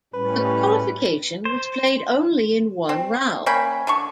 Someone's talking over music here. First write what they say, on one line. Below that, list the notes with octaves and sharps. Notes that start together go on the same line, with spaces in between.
The qualification was played only in one round.
A2 G3 C#4 B4
C5
C4
A#3 C#4 G5 B5
D3 D4 C#6